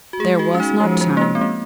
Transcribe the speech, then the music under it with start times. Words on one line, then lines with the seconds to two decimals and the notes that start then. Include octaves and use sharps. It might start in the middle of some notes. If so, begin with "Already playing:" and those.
There was not time.
0.13 F#4
0.19 G#3 G#4
0.39 F#4
0.54 C#4
0.60 D#4
0.80 F3 G#3
1.01 G#3
1.17 A#3
1.21 G#3
1.35 C4
1.41 A#3